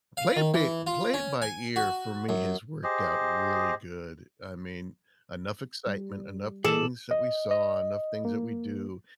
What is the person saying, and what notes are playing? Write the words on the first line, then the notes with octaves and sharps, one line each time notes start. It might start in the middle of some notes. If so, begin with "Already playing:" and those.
Play it bi play it by ear for me has worked out really good. I mean, enough excitement, enough things that we saw, enough things that we do,
F5
D#3
E3
F4
C#4
G#5
F#4
F#2
G4 G#4 C5 D#5
G3
A#2 E3 G#4 A4 D#5 D6 E7 F#7
D#5
D#5
A#3